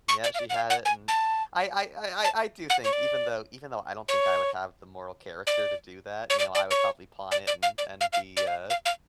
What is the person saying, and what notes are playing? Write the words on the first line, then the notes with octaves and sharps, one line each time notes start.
Yeah, she had it n I I I I I do think even though even though I don't think I would have the moral character to do that, you know, I would probably pawn it and and be, uh,
C#6
D5
F5
D5
F#5
F5
F#5
G#5
A5
A5
F#5
C#5
D5
C#5
D5
C#5
D5
D5
C#5
D5
D5
F5
D5
F5
F5
D5
F5
F5
F5